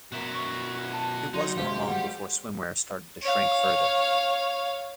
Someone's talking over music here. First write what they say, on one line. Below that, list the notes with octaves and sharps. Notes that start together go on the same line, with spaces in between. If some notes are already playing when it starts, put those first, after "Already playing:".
It was not long before swimwear started to shrink further.
B2 F#4 A#4 E5
C#6
A5
F#3 G3 D#4 F#4 C6
D#2 C3 G#3 G4 C5 F5
G3 F#5
C#5 F5